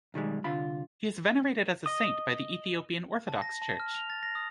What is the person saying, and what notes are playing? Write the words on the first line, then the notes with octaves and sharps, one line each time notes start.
He is venerated as a saint by the Ethiopian Orthodox Church.
B1 D#3 G3 G#3
C2 D3 F4 B5
D#5 D#6
A5
A#6
A5
F6
F7
A6
A#6
D#6